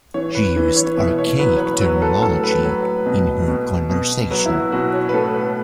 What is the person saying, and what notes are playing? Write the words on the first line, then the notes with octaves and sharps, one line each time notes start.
She used archaic terminology in her conversation.
E3 C#5
B4
E3
C#5
B2 E5
C#5
F#3 B4
C#5
B4
F#3 B4
A4
A2 A4
B4
F#3
B2
B2
B2
F#3 B4
E4
F#4
B2 F#4
C#5
B4
A2 A4
B4